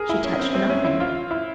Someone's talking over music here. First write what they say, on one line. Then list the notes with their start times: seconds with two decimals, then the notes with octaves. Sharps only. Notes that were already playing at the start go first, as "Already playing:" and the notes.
She touched nothing.
Already playing: G#4 A#4
0.09 E4
0.24 C#4
0.39 C4
0.55 C4
0.69 C#4
0.85 E4
1.00 F4
1.31 E4